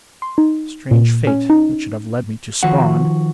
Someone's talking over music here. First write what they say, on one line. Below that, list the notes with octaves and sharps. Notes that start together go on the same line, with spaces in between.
Strange fate that should have led me to Spawn!
C6
D#4
A#2
C#4
D#4
D#3 F3 F#4 F#5